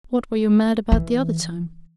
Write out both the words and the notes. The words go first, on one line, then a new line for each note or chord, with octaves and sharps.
"What were you mad about the other time?"
E3